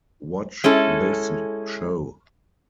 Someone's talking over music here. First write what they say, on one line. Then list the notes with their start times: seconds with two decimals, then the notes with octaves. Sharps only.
Watch this show.
0.64 G#3 C#4 E4 A4